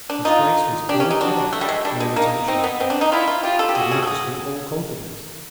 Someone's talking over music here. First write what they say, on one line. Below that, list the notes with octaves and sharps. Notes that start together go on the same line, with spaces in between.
His Grace was all care, all attention--his Majesty all confidence.
D4
D#4 F4
D4 G4
C#4
D#4
D4 F#4
A3
G3
G#3
G3 D4
G#3
A#3 D#4
C4 D#4
B3
C4
D4
D#4
E4 F4
F4
F4 G4
A4
G4
F#4 G#4
G#4
A4
G#4